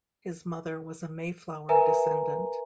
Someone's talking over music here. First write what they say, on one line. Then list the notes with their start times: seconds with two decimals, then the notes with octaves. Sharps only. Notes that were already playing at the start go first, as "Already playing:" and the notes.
His mother was a "Mayflower" descendant.
1.69 A#4 B4 E5 G#5 A#5